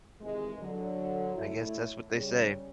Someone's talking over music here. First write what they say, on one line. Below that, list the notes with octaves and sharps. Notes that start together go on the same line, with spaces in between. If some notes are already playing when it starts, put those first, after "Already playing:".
I guess that's what they say.
C3 D#3 E3 G#3
D3 F#3
A2 A3 E4
C#3 G3 C#4